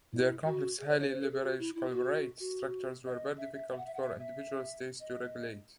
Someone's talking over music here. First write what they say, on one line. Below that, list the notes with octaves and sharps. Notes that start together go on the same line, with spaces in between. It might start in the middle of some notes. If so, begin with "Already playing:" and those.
Their complex, highly leveraged, corporate structures were very difficult for individual states to regulate.
E4
F#4
G#4
C#5
C#5
C5
A4
G#4
F#4
E4
E4
F#4
F#4
D#5
E5
E5
E5
F#5
E5
F#5
E5
E5
D#5